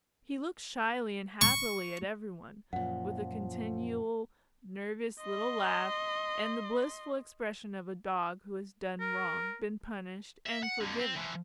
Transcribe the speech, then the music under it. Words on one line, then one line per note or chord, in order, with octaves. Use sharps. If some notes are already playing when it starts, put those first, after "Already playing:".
He looked shyly and happily at every one, with a continual nervous little laugh, and the blissful expression of a dog who has done wrong, been punished, and forgiven.
C#6
F#2 A#2 F3 F#5
D#5 C6
A#4
E5
F#5
F2 D3
C4
E3 F3